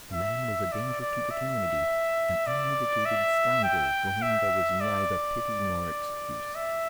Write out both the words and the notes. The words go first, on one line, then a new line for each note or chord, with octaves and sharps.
The man was a danger to the community, an unmitigated scoundrel for whom there was neither pity nor excuse.
E5
D5
D5
E5
D5
E5
G5
E5
D5
E5